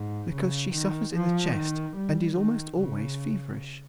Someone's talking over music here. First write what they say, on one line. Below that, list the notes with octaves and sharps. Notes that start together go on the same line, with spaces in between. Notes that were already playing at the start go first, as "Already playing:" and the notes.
"Because she suffers in the chest, and is almost always feverish."
Already playing: G#2
C#3
D#3
F3
D#3
G3
D#3
C#3